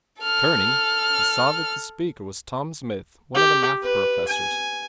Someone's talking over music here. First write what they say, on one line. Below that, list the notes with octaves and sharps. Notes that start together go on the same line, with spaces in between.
Turning, he saw that the speaker was Tom Smith, one of the math professors.
A4 F6
G4
B4
G#5